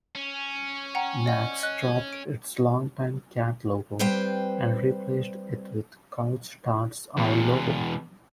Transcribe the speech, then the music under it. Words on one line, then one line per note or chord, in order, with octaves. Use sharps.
Mac's dropped its longtime cat logo, and replaced it with Couche-Tard's owl logo.
C#4
F#5 G5 A#5
D5 D#5 F#5
D#5 F#6
D7
G3 C4 B4 C5 G5
E2 B2